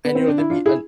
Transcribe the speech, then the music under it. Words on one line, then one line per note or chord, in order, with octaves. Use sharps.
and, you know, to be an
B3
C4
D4
E4
D4 F4
E4 G#4